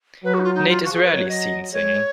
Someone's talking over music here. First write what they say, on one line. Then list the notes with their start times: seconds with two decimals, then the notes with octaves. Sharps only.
Nate is rarely seen singing.
0.24 F#3 B4
0.34 F#4
0.39 D#4
0.44 F4
0.55 D#4
0.69 F4
0.84 F3 F#4
0.93 G#4
1.04 B4
1.13 F#3 C#5
1.28 D#5
1.72 G#3 C#5